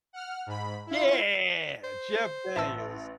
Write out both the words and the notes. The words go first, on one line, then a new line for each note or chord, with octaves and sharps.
Yeah! Jeff Daniels.
F#5 F6
G#2 B5
E4 F4
C5
A1 E5 A5 E6